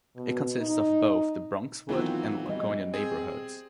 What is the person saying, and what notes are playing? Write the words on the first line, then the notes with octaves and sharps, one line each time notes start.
It consists of both the Bronxwood and Laconia neighborhoods.
B2
D#4
D#3 E3 F#3 B3 C4 F4
G3 D#5
C4 G#4